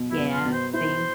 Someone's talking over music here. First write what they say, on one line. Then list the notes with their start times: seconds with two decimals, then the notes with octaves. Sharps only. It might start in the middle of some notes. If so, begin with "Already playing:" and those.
Yeah, same.
Already playing: B2
0.10 E4
0.17 B3
0.31 F4
0.46 B2
0.52 C5
0.73 E4 C5